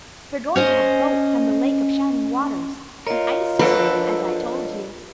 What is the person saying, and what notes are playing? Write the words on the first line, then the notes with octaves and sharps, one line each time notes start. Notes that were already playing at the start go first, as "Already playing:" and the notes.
They're going to have boats on the Lake of Shining Waters--and ice cream, as I told you.
C#4 C5 D#5
F4 A#4 C#5 D#5
F3 D4 A4 B4